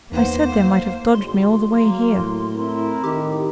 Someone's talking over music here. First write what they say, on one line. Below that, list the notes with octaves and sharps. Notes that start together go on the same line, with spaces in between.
"I said they might have dodged me all the way here."
E2 A#3 D#4 B4 C5 F#5
F#1 B1 C6
F#3 A#3
A2
C4 E4 A#4
D#3 G4